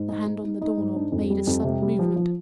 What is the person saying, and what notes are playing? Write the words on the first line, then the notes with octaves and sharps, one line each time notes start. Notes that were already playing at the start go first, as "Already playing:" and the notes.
The hand on the door-knob made a sudden movement.
Already playing: G#2
D#4
D#4
D#4
D#4
G#2
D4
F2
G3
F2
C3
G3
F3
F3